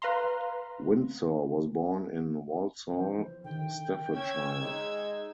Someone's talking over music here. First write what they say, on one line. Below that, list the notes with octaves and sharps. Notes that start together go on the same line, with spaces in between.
Windsor was born in Walsall, Staffordshire.
B4 F5 A#5 C6
E3 F3 C5
D3 D#3 G5
C#4 C#5 E6 G#6
G#3 D#4